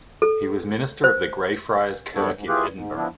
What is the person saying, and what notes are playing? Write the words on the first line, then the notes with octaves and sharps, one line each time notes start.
He was minister of the Greyfriars Kirk in Edinburgh.
A4
C5
F#2 G3 B3 D4 A4 C#5
G#2
E4 F4 G4 G#4 B4
G#2
F3 B3 D4 E4